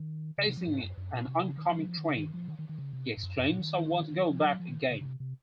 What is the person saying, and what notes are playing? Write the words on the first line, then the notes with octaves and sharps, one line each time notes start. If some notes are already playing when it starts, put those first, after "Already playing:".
Facing an oncoming train, he exclaims I want to go back again!
Already playing: D#3
C#3
C3
F3
G#2
F#2
F#2
A#2
C3
C#3
D#3
F3
F#3
F3
D#3
C#3
D#3
F3
D#3
D#3
D#3
C#3
C3
G#2
F#2
F#2
A#2
D#3
F3
F#3
F3
D#3
C#3
C#3
C3
C3